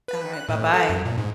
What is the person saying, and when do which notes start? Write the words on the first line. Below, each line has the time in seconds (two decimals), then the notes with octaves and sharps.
Alright. Bye-bye.
0.08 B4
0.33 F#6
0.49 A2
0.73 A4
0.89 F#2
1.05 A#2
1.18 G#2